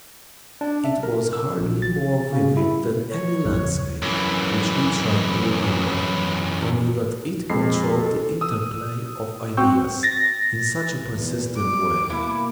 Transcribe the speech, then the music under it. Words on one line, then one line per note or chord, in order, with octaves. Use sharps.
It was hardly more vivid than any landscape which he tried to remember, only that it controlled the interplay of ideas in such a persistent way.
D4
E5
A#4
E6
A#1
A6
C#3
E4
C#5
B1 F#2
D#1 F2 C#3 F3
F#2 E3
F2 G#3 C7
A4
D#6 E6
C4 F#4 G5 C#6 E6 G6
A6 A#6
E2
G3 D6
B2 A#3 E4